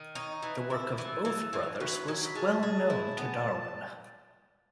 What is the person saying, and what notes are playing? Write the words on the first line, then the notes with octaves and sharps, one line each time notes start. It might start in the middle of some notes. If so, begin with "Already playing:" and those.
The work of both brothers was well known to Darwin.
Already playing: D#3
D#4 C#5
E3 B4
E4 A4
E3
A4
E3
E3
F#3 B4
F#3 G#5
B5
G#3 A5
A5
G#4
A5
E4
B3